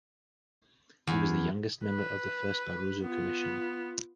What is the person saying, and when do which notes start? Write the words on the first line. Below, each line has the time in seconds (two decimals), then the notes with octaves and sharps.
He was the youngest member of the first Barroso Commission.
1.07 E2
1.84 B4
3.02 B3 F4